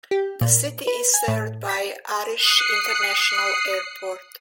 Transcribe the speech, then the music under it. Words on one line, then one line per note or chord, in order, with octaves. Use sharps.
The city is served by Arish International Airport.
G4
A#2
B4
G#5
A2
B6
D#6 F#6 C7 C#7